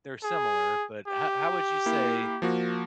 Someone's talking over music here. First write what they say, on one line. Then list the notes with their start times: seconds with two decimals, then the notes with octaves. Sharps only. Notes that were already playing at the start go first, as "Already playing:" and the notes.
They're similar, but ho how would you say
0.24 G#4
1.08 G4
1.86 A#3 E4
2.42 F3 A#3 F#4